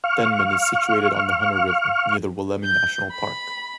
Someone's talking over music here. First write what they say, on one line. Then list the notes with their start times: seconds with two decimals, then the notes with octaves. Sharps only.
Denman is situated on the Hunter River near the Wollemi National Park.
0.04 F5 C#6 F6
2.64 G6
3.12 B5